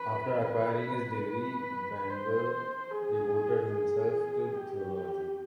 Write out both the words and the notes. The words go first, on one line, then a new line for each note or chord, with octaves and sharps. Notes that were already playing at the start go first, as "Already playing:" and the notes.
After acquiring his degree, Bengel devoted himself to theology.
Already playing: B4
B4
B4
C5
G#4
G#4
G4